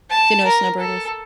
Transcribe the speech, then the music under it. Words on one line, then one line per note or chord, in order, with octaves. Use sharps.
Do you know what snowbird is?
A5
A#4
A4